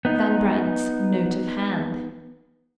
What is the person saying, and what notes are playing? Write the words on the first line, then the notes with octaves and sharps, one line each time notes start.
Van Brandt's note of hand!
B3 D#4